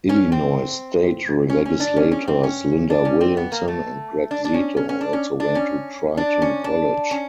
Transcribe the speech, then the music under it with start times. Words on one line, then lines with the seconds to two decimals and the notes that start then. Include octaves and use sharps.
Illinois state legislators Linda Williamson and Greg Zito also went to Triton College.
0.09 C#4
0.32 C4
1.49 C#4
1.65 C#4
1.80 D4
1.96 C#4
2.12 C#4
2.28 C4
2.44 C#4
2.90 D4
3.05 C#4
3.21 C4
3.37 B3
3.52 A#3
3.68 A3
4.31 D4
4.45 D4
4.54 C#4
4.77 C#4
4.89 C#4
5.01 D4
5.13 C#4
5.40 D4
5.55 C#4
6.17 D4
6.42 C#4
6.64 D4
7.11 C#4